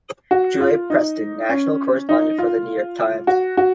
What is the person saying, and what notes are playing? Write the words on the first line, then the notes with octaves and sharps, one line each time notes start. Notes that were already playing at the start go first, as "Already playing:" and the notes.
Julia Preston, national correspondent for The New York Times.
F#4
F4
D#4
C#4
D#4
F4
F#4
F#4